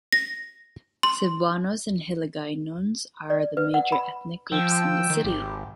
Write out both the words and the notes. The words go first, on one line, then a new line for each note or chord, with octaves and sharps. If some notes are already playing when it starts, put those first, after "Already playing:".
Cebuanos and Hiligaynons are the major ethnic groups in the city.
A#6
C6
D5
B4
F#5
B5
F3 G5 E6
D#3
G#1 G4